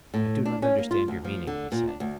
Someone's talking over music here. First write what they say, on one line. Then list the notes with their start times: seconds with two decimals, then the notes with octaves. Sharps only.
I do not understand your meaning, he said.
0.14 A2
0.45 D4
0.62 C#4
0.78 A#3
0.91 F4
1.08 D2
1.24 F3
1.47 D3
1.72 A#2
1.88 D4
2.00 D2